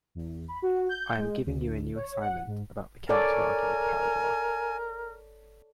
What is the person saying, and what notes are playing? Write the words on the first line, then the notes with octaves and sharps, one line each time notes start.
I am giving you a new assignment about the counterargument paragraph.
E2
B5
F#4
G6
G#3
D2
C#5
F#5
G#2
A4 A#4 C#5 D5 G#5